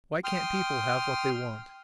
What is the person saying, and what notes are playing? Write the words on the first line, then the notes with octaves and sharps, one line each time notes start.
Why can't people have what they want?
G5 C6 D#6 F6